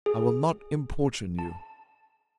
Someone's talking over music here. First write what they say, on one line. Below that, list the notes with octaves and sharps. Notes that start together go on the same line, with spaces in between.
I will not importune you.
G#4
A5